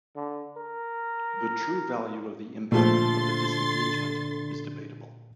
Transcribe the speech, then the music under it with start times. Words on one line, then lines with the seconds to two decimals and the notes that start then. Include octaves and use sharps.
The true value of the impact of the disengagement is debatable.
0.16 D3
0.57 A#4
2.72 A#2 D3 F3 A3 C6 A6